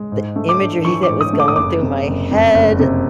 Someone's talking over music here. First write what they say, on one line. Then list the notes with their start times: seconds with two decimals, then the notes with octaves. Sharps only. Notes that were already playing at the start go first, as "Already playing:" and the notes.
the imagery that was going through my head,
Already playing: G#3
0.12 G#2
0.36 A3
0.49 D6
0.61 D4
0.85 E3 C#6
1.03 D6
1.09 G#2
1.21 D#6
1.33 A3
1.40 D6
1.48 D#6
1.56 F#1 D6
1.82 C3
2.07 F#1
2.31 F2
2.54 F#1
2.79 C3